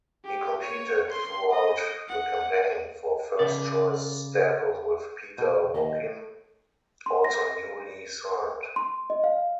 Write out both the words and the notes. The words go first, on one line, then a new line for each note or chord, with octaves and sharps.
He competed throughout the campaign for first-choice status with Peter Luccin, also newly signed.
G4
C#5
C6
D#5
F#5
C#3 D5
B2
D#2 D#5
C6
A#6
C6
D#5
F5